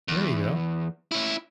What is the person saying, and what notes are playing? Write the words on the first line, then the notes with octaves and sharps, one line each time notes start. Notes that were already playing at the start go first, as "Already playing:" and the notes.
There you go.
E2
C#4 E4